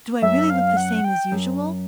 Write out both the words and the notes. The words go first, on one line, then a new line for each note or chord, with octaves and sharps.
Do I really look the same as usual?
F#2 E5
F5
F#5
G5
F#2